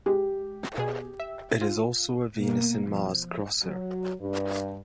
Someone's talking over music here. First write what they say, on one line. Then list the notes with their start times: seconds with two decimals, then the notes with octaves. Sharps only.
It is also a Venus and Mars-crosser.
0.06 G#3 G4
0.78 B2 G#4
1.20 E5
1.61 F4
2.33 B2 A#3
2.88 F3
3.64 F#3
4.19 G2